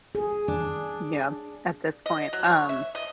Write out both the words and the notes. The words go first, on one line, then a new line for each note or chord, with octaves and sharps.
Yeah, at this point. Um
G#4
D4
D#5
F#3
C#5
E5
D#5